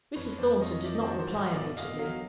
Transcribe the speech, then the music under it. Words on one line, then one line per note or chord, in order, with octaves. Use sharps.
Mrs. Thornton did not reply immediately.
F2 B4 C#5
F2 C5 D5
F2 C#5 D#5
D#3 D5 E5
D#5
C5 D5
F#3
C5 D5
G#2
C#5 D#5
B2 D5 E5
E2 D#5 F5
F#3 D#5 F5